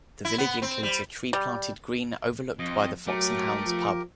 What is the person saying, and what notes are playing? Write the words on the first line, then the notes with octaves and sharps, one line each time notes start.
The village includes a tree-planted green overlooked by the Fox and Hounds pub.
E4
B3
C4
G3
G3
F2 D#5
F#3 A3 G4 A#4
F3